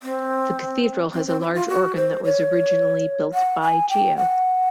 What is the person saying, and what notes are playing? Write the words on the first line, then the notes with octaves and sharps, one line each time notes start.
The Cathedral has a large organ that was originally built by Geo.
C4
C4
C4
E4
F4
F#4
C5
C#5
F#5
G#5
G5
F#5